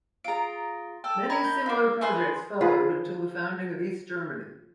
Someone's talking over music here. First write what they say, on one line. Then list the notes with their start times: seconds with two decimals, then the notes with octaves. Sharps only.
Many similar projects followed until the founding of East Germany.
0.24 F4 G#4 A#5 D7
1.04 A4 G5
1.30 A#4 D#5 B5 G#6
1.44 G6
1.66 D4 F4 A#4 D6
2.01 G#4 B4 C6
2.61 F3 F4 G#4 B4